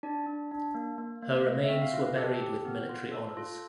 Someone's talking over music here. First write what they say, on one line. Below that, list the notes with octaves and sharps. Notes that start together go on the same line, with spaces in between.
Her remains were buried with military honors.
D4 D5
D4
D4
A#3
A#3
A#3
A3 D#5
E5
C4
F5
F4
B4
G4 A4
G4
B3
F4
A4
F4